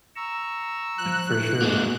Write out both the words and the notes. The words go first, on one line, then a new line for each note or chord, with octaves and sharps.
For sure,
A#5 C#6 E6
F3 F#6
G2 E3 A4
D2 G#3 A#3 B3 F#4 G#4